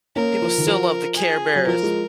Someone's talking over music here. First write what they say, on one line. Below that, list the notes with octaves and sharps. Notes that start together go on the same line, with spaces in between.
People still love the Care Bears.
A#3 C#4 A#4
F3
D#3
F3
G#4
F#3
F3 A#4
F3 G#3